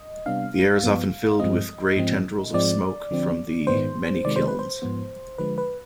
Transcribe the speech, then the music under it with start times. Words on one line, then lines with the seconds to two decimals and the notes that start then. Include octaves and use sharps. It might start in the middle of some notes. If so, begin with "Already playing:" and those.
The air is often filled with gray tendrils of smoke from the many kilns.
Already playing: D#5
0.26 C3 G3 B3 D4 F5
0.83 G2 F3 B3
1.40 G2 F3 G#3 C4 D#5
1.97 G#2 F3 C4
2.54 G#2 F3 G#3 C4 D5
3.11 D3 F3 C4
3.67 G#2 D#3 G#3 B3 C5
4.25 C3 D#3 G#3 D5
4.36 C5
4.48 B4
4.59 C5
4.82 G#2 F3 B3
5.38 D3 F3 G#3 B4
5.58 B4